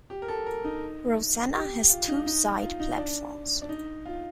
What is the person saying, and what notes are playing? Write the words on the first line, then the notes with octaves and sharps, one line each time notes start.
Rosanna has two side platforms.
G4
A#4
A4
A#4
D#4
G4
F4
D#4
D#4
F4
D#4
D4
D4
D#4
F4